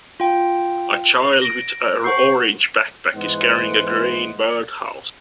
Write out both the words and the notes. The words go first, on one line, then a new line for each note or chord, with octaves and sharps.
A child with a orange backpack is carrying a green bird house.
F4 G5
A#6 D7
C5 F#5 C#6 G6 C7
G#2 E3 B3 C5 D#5 F#5